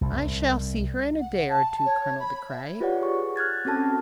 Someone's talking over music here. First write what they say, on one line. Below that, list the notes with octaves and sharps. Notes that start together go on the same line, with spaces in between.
"I shall see her in a day or two, Colonel De Craye."
C2
F#5
A5
C#5
B5
E5
F4 G4 B4 C#5 D5 F#5
G#4 C#6
F6 F#6 G#6 A6
C4 C#4 F#4 A4 A5